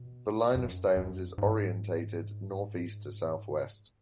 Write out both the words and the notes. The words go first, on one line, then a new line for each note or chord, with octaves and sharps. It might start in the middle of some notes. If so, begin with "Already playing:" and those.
The line of stones is orientated north-east to south-west.
Already playing: B2
F#2
F#2
G#2